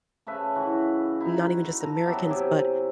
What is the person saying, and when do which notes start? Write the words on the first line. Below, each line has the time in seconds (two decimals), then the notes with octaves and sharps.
not even just Americans, but
0.27 C#3 A3 B4 E5
0.56 E3 F#4
1.20 D#4 E4
1.81 A4 A#5
2.06 F#3 B3 G4 E5
2.30 C3 G#5 D6